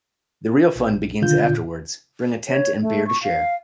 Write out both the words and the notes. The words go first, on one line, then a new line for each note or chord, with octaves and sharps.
The real fun begins afterwords, bring a tent and beer to share.
A#1
B2 D3 D#3 F#3 F4 G6
A#2
C#5
A3
C#6
F5